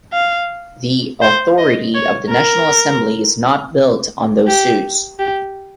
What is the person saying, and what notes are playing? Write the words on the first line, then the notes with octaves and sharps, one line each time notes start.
The authority of the national assembly is not built on those suits.
F5
C5
D#5
C#5
A#4
G4
G4